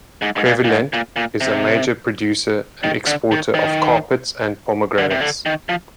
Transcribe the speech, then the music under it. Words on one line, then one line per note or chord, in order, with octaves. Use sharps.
Crevillent is a major producer and exporter of carpets and pomegranates.
G#2
G#2
A#2
A#2
G#2
A#2
A#2
C3
D#3
D3
D#3
D#3
D3
C3
D3
D#3
F3